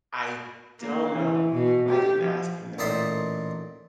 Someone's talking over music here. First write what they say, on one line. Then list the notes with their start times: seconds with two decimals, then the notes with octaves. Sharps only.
I don't know, I didn't ask him that.
0.79 A#3
1.13 E3
1.53 B2
1.89 G4
2.21 F3
2.78 A1 A#2 D#4 E5 A5 C6